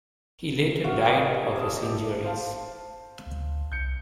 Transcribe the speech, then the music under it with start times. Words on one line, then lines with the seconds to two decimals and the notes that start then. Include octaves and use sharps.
He later died of his injuries.
0.84 F4 F#4 E5 F5
1.05 G3 A#3 D#4 G#5
1.56 D#5 E5 A5
1.82 G4 D5
2.24 C5 F5 A5
3.27 D2
3.72 C2 G6 C#7